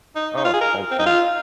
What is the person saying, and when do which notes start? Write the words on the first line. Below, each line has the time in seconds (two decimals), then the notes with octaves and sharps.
Oh, all the time.
0.16 D#4
0.37 D#4
0.44 F4
0.53 G#4
0.61 A#4
0.91 C4
0.99 D#4
1.06 F4